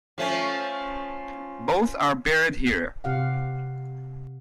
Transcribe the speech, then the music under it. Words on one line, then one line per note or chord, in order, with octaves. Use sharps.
Both are buried here.
F3 A3 C#4
C3 G4 F5 F#5